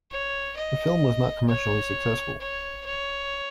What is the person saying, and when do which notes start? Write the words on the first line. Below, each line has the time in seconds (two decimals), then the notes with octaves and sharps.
The film was not commercially successful.
0.11 C#5
0.57 D#5
1.49 C#5
2.41 C#5
2.86 C#5